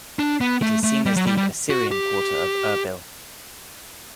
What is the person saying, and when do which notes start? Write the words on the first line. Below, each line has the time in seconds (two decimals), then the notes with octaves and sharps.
It is seen as the "Assyrian Quarter" of Erbil.
0.19 D4
0.41 B3
0.62 A3
0.84 A3
1.06 G3
1.16 F#3
1.27 G3
1.37 G3
1.70 F#4
1.91 G4